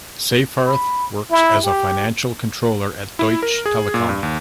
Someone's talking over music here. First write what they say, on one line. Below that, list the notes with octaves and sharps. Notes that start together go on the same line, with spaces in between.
Seyfarth works as a financial controller at Deutsche Telekom.
B5
E4
G4
E4
A#4
G#4
A#2
G2
D#2